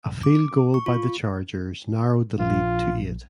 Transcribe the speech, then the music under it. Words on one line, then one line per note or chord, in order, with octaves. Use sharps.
A field goal by the Chargers narrowed the lead to eight.
D6
C#6
F4
A#1 F4